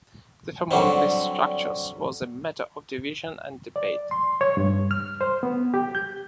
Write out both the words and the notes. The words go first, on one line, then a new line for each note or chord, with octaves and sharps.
The form of these structures was a matter of division and debate.
D3 F#3 G3 C4
D5
C6
C#5
G2
F6
C5
B3
G4
G6